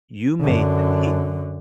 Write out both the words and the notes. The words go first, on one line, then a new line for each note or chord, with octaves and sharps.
you made the he
F#2 D3